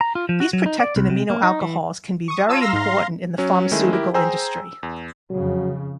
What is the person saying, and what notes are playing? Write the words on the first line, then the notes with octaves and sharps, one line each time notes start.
These protected amino alcohols can be very important in the pharmaceutical industry.
A#5
F4
F3
F#4
F#3
D#4
D5
C2
C3
A#3
D#4
E3
C#6 D#6
F4 C#5 A5 E6 D#7
F5 A#5 C6 E6 A#6
G#2
F#3 C#4
D#3 G#3 A3 C#4 E4
E4 G4 A#4
G#4 C5 G5 G#5 A#5 E6
E2
F2 C#3 F#3